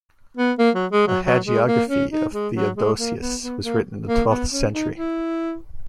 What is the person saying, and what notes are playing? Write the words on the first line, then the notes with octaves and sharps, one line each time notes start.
A hagiography of Theodosius was written in the twelfth century.
B3
A#3
F#3
G#3
F#3
F#3
G#3
A#3
C#4
D#4
G#3
F#3
G#3
A#3
B3
B3
A#3
A#3
B3
C#4
D#4
E4